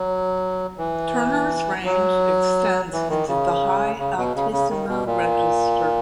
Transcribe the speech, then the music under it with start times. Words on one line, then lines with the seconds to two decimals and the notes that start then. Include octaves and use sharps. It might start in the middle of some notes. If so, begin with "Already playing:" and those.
Turner's range extends into the high altissimo register.
Already playing: F#3
0.78 E3
1.85 F#3
2.92 E3
3.09 D#3
3.28 C#3
3.99 C#3
4.17 B2
4.35 C#3
4.52 C#3
4.70 D#3
4.88 B2
5.06 A#2